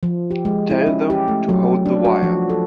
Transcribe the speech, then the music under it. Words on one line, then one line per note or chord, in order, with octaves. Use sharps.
Tell them to hold the wire.
F3
G4
G#3
E4
C#4
G4
A3
F#3
D4
F#4
F3
A4